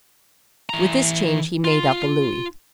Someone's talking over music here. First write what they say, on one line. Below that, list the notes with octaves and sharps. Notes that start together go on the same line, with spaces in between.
With this change, he made up a louis.
E3 A#5
F4